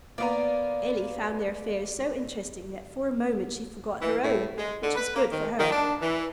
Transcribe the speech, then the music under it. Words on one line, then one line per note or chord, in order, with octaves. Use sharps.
Elly found their affairs so interesting that for a moment she forgot her own,--which was good for her.
A#3 B3 D5 A#5
E3
A2
G#3
D3
B4
A#3
D#3
D#3
D4
E3